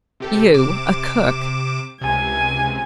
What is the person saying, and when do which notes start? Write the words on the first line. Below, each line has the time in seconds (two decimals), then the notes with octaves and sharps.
'You a cook!
0.20 C3 G4 A4
0.54 C3 D6 E7
2.01 C#2 C3 G#5